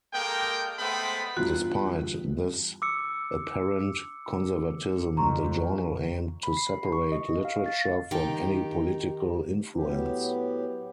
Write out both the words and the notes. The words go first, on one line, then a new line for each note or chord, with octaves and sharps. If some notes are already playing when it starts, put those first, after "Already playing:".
Despite this apparent conservatism, the journal aimed to separate literature from any political influence.
G#3 A#3 A4 A#4 G5
G#3 A3 B3 C5 G5 B5
E2 G2 F4 F#4
D6 E6 C#7
F2 A#5 C6 C#6
B5
C7
C#6
D#5
F5
A6
D#3 D#4 G4
A2 F#3 B3 G4